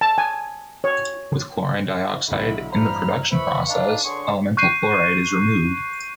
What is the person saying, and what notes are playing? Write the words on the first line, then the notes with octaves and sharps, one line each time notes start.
With chlorine dioxide, in the production process, elemental chloride is removed.
A5
G#5
C#5
B1 D3 E4 B5
A1 G2 C5 A#5 B5 F6
E4 B4 C5 E5 B5 C#6
D4 D#4 F5
D3 C#4 D4 G#4 C6 C#6
C#6 F#6 G6 C7 D#7